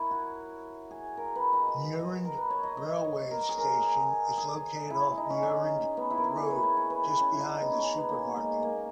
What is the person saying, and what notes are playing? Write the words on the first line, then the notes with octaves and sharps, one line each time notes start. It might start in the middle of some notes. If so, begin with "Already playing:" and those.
Muirend railway station is located off Muirend Road, just behind the supermarket.
Already playing: E4 A#4 C#5
F#4
G#4
A#4
B4
D#5
D#5
D#5
D#5
A#4
B4
C#5
D#5
D#5
C#5
A#4
G#4
A#4
G#4
G#4
E4
D#4
C#4
C#4
B3
E4
A#4
G#4
A#4
B4
C#5
C#5
B4
B4
C#4
D#4 E4
B3
C#4
C#4
B3
A#3
G#3
A#3